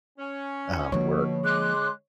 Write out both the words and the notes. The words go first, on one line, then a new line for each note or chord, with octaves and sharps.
um, work.
C#4
B2 D3 F3 A#3 C#5
G#3 C6 D6 F#6